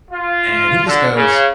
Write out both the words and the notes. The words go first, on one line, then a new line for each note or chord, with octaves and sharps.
and he just goes,
F4
D3
C#3